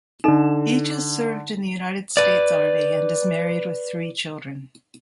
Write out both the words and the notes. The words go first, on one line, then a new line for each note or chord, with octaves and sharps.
Each has served in the United States Army and is married with three children.
D3 D#4 A4 D#5 E7
B4 D5